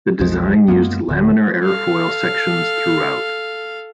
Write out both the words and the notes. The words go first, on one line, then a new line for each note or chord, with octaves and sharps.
The design used laminar airfoil sections throughout.
B1 F2 F3 G#3
F#2 G#3 A#3 B3
D1 D3
A4 F5